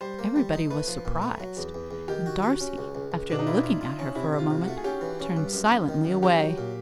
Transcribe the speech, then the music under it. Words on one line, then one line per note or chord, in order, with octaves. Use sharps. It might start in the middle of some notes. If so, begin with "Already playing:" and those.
Everybody was surprised, and Darcy, after looking at her for a moment, turned silently away.
G3 C5
A#3
G3
D#4
A3 B4
F3
A#2
A3
F#3
E2
E2
E2
D#3 G4
F#4
F#4
C#4
C#2
C#2
C#2
B2 D4
D#4
E4 F4
F4
F4
C#4
C3 E4
C3
F4
C3
F#4
A3
G#4
C#4 G4
E3
C#4
G2
F#2
F#2
D#3
F#2
F#3 G4
F#3
A#2